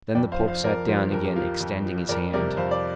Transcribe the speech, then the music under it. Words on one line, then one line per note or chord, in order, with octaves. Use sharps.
Then the Pope sat down again, extending his hand.
F2 D5 G5
C5 F5
F3
C5 F5
F2 A#4 D5
F3 G4 C5
F2 A#4
G4
F3 F4 A#4
F2
F3
F2 A#4 D5
C3 G3 A#4 D5
F2 C5 F5
D5